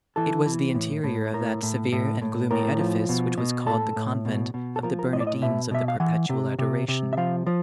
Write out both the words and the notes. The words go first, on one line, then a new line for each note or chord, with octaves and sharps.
It was the interior of that severe and gloomy edifice which was called the Convent of the Bernardines of the Perpetual Adoration.
E3 A4
E3
A2
A2
A2 A#4
A2
A2
A2
A2 A#4
F3
B2
B2
A2 A4
A2
B2
B2
A4
F3 A#4
A#4
A2 D#5
D5
D#5
B2 E5
B2 E5
F5
E3 F#5
C3
C3
C3
E5
F3 F5
F3